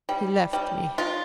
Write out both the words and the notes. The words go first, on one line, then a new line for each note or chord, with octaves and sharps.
He left me.
G3
G3
F4